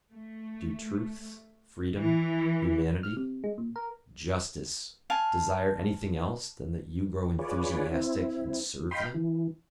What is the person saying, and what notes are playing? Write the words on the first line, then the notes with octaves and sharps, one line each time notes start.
Do truth, freedom, humanity, justice, desire anything else than that you grow enthusiastic and serve them?
A3
E3
F6
C3
G#3
A#2
A#4
F5 G#5 A5
F4 G#4 B4 C#5 D5
C4 E4
D#5 F5 G5 B5 C6
E3